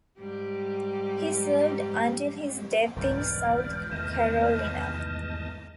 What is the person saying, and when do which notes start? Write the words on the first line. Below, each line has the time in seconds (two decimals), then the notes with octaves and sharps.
He served until his death in South Carolina.
0.19 G#2 G3 G4
2.96 E1 C2 G#2 D3 B4 D5 F6 G6
3.91 E2 D#3 A3 D#5 A5